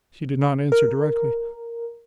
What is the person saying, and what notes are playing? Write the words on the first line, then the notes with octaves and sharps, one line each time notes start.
She did not answer directly.
A#4